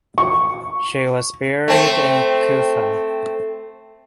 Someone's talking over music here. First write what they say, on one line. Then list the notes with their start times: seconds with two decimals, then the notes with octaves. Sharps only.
She was buried in Kufa.
0.18 C#6
1.68 A3 C4